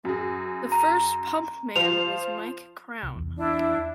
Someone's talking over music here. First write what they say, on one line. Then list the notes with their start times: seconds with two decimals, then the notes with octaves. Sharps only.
The first pumpman was Mike Crown.
0.05 F#2 G#4
0.72 A#5
1.76 F3 F4 C5 F7
3.03 C2
3.16 E2
3.37 D4 E4